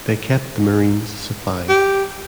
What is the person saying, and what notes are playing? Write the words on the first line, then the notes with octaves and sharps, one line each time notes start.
They kept the marines supplied.
G4